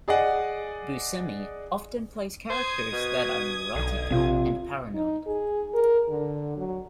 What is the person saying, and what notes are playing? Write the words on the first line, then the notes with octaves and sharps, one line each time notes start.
Buscemi often plays characters that are neurotic and paranoid.
G#4 D5 D#5 F#5
C5 D#6 G#6
B2
B1 D3
A#1 C3 F4
D#4
G#4
A#4
D3
F#3